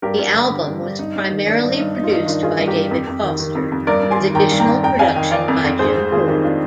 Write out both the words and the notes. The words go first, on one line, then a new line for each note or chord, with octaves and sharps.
The album was primarily produced by David Foster, with additional production by Jim Corr.
G2 G4 A#4
G2
D3
D3
G2
G2
G2 D#4
G2
D#3
D#3 D4
G2
D#4
G2
G2 D#4
F4
G2 D#4
D#3 D4 F4
D#3 F4 G#4
G2
G4 A#4
G2
F2
F2
D#3
D#3
F2
F2
G2 A#4 D5
G2
G#5 C6
D#3
D#3 G5 A#5
G2
G5 A#5
G2
F2 G5 A#5
F2 F5 G#5
D#3 D#5 G5
D#3 D5 F5
F2
F2
G#2 G#4 C5
G#2
D#3 F4 G#4
D#3 D#4 G4
D4 F4